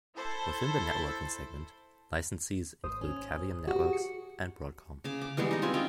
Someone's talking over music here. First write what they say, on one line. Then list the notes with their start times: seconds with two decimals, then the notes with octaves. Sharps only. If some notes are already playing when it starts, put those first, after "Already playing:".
Within the networking segment, licensees include Cavium Networks and Broadcom.
0.16 E4 A4 C5
2.84 G#1 C5 D#6
3.01 C#4
3.67 F#4 G4
3.89 G#4 C#7
5.04 C#3 D6
5.21 D6
5.37 E3 G3 G#3 B3
5.51 D#4 D#5
5.62 C4 F4 G#5
5.74 C#4 F4 G5